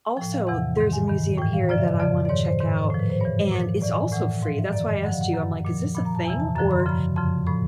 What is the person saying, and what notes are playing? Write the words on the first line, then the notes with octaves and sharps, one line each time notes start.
also, there's a museum here that I wanna check out, and it's also free, that's why I asked you, I'm like, is this a thing or
A2 F3 G5
F5
E2 C3 E3 F#5
G#2 D#3
G#5
G2 D#3
A2 E3 G5
F5
F#2 C#3 F3 D5
E5
D#5
F2 C#3 F3 D5
D5
G#2 D#3 C#5
C5
G#2 D#3
A2 F3
B4
C5
G2 E3 C#5
A#2 F3
A2 E3 D5
G#5
A2 E3 F#5
G#2 F3 F5
E5
F#2 D#3 D5
D#5
G2 D3 F3 F#5
F5
F#5
F#2 D#3
A#2 F3
A#2 F3 B5
A#5
A5
E2 C3 E3 G#5
A5
F#2 D3 F3 A#5
B5
C6
F#2 C#3 F3 B5
F2 C#3 F3 C6
A2 F3 B5